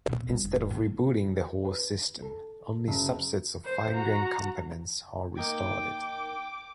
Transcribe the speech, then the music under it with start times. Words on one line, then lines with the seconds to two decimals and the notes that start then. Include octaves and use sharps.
Instead of rebooting the whole system, only subsets of fine-grain components are restarted.
0.06 D#1 A#2
0.28 G3 D#4
0.44 F1
0.71 A2
1.65 B4
2.22 A4
2.88 F#1
3.65 C5
3.94 F#4 A#5
5.37 A#3 D#4 G5 D6 G#6